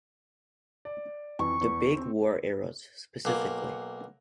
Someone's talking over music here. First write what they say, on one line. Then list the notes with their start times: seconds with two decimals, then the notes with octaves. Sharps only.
The big war eras, specifically.
0.85 D5
1.39 F2 E3 C#6
1.61 E2
1.97 C4
3.25 B1 A#3